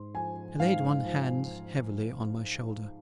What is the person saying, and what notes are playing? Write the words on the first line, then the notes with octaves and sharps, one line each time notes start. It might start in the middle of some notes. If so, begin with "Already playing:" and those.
He laid one hand heavily on my shoulder.
Already playing: G#2 C6
F3 G#5
G#2 F5
F3